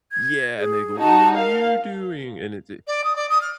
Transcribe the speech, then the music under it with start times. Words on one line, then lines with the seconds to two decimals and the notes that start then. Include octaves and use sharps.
Yeah, and they go, "What are you doing?" and it's a y
0.12 G#6
0.59 G#4
0.99 D#4 F#4 A5
1.37 A#4 F5
2.87 D5
3.04 D#6
3.16 D5
3.30 D#6
3.41 F6